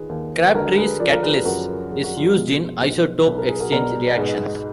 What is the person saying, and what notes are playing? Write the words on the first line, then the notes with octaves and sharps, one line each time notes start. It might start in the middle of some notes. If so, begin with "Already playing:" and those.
Crabtree's catalyst is used in isotope exchange reactions.
Already playing: D#3 F4 G#4 B4
D#2
B4
D3 F#4 A#4
G#4 B4
F3 A#4 D5
A#4
G#4 B4
F#2 F#4 A#4
F3 G#4
F#4
F4 G#4
B2
B1
B1 B4
A#4
G#4
F#4 A#4
B2 A#4 D5
D5
G#2 G#4 B4